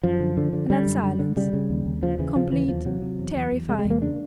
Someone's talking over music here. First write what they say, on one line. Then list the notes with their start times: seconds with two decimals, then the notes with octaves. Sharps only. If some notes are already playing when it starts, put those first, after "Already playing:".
And then silence,--complete, terrifying.
0.03 F#2 F3
0.20 D3
0.37 D3
0.53 D3
0.70 D3 G3
0.86 F#2
1.03 D3
1.19 D3
1.36 C#3 G3
1.53 C#3
1.70 D#2
1.86 D#2
2.02 C#3 F3
2.19 C#3 E3
2.36 C#3 F3
2.52 D#2 E3
2.68 E2 F3
2.85 C3 F#3
3.02 C3
3.19 E2
3.36 E2
3.52 E2
3.69 C3 G#3
3.79 G#3
3.85 E2
3.90 A#3
4.01 C#3 D4